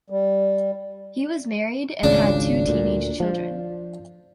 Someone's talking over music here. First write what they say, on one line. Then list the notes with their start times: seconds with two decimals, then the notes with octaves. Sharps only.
He was married and had two teenage children.
0.10 G3
2.03 G#1 C#2 C#3 D4
2.67 D2 A#2
3.20 F3